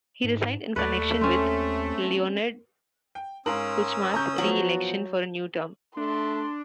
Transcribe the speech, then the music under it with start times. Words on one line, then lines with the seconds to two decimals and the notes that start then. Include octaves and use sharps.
He resigned in connection with Leonid Kuchma's re-election for a new term.
0.24 G#2
0.76 D#2 A3 B4 D5
1.21 C4 C#4
3.15 G5
3.46 G#2 C#4 A#4 F5 A#5 D#6 E6 F#7
4.14 C#3 A#5 C#6 G6
4.38 F3 F#3 B3 F#4 F#7
5.97 A3 D4 C6